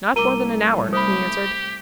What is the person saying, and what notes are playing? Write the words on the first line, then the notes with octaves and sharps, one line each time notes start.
"Not more than an hour," he answered.
C2 A3 A#4 A#5 D6 D#7 G7
G4 C5 B5 D#6